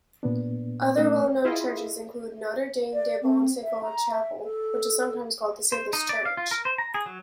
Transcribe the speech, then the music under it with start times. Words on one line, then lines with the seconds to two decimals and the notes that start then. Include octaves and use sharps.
Other well-known churches include Notre-Dame-de-Bon-Secours Chapel, which is sometimes called the Sailors' Church.
0.23 A#2 B3 D4
0.97 A3 C#4 A#4
1.45 E4 F4 G#4 D#5
2.93 D5
3.23 C4
3.63 E5
3.83 A#5
4.11 E5
4.43 A4
5.72 C5
5.93 D#4
6.09 D5
6.25 F5
6.37 F4
6.51 A#4
6.65 C5
6.78 A#5
6.94 G#4
7.06 F#3